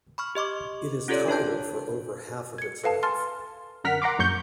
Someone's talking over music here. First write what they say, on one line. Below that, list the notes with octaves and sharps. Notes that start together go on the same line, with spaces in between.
It is tidal for over half of its length.
B5 C#6 F6
G4 D#5 C#6 D6
C#4 F4 G4 A4 C#5 D5
D4 C#5 A5 G6
G#6 C#7
A4 B4 F5 A5
G#5 A5 C6 F6 A6
F#2 D3 A#4 F#5 F6 B6
F#5 A#5 C6 D6
A#1 F#2 C#6 G6